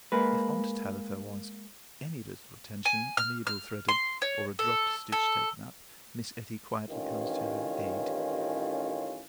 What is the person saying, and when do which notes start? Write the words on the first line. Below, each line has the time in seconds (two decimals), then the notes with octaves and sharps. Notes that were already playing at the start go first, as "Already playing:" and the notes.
If Aunt Tabitha wants any little attention, a needle threaded, or a dropped stitch taken up, Miss Etty quietly comes to her aid.
0.12 G#3 A#3 B4
2.85 G#5
3.17 F6
3.47 F6
3.88 C6
4.22 C#5
4.59 A4
5.12 A4
6.89 A1 G2 D#3 E3 C#4 F4